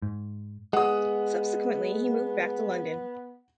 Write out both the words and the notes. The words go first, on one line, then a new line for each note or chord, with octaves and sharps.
Subsequently, he moved back to London.
G#2
G#3 B3 F#5 D#6